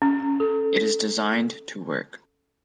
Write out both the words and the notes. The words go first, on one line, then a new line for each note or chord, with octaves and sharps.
It is designed to work.
C#4
A4